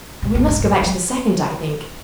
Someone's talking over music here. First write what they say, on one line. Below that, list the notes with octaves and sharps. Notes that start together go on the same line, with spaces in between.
'We must go back to the second, I think.
A#2
A2
G2
A2
F#3